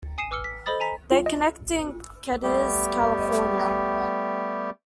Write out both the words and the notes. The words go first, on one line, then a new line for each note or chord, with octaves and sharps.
They connect in Cadiz, California.
G#5 D#6 C7 C#7 D#7 E7
B4 D6 E6 F6 C#7 G7
B6
A4 C5 D#5 B5 D#6 A6
G#5 A#5 B6
F4
D#5
G3 A3 B3 G4